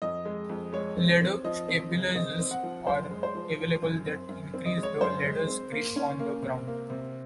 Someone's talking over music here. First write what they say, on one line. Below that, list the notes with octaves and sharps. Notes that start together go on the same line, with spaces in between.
Ladder stabilizers are available that increase the ladder's grip on the ground.
F2 D#5
G#3
F2
G#3 C#5
C4
C4
F3 D#5
C4
C#3
C4 D#5
C4
F#5
F3
F#2 C5
G#3
C5
F3
F3
F#2
C4
F#2
C4
D#5
G#3
C#5
F#2 C5
G#3
C4
A#3
C#4
A#3
C3
A#3
C3